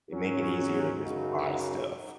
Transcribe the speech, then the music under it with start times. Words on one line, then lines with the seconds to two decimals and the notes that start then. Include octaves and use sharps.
they make it easier to just buy stuff.
0.13 G#2 F#3 C#4
1.04 F#2 C#3 F#3 D#4
1.48 D#4